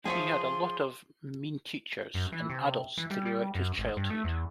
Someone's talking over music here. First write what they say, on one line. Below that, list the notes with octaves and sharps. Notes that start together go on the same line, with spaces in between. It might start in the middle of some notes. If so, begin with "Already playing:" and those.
He had a lot of mean teachers and adults throughout his childhood.
F3 G#4 C#5 E5 G#5 C6
F#2
E3
C3
E3
G3
G3
F#2
G#1
G2
A3
E2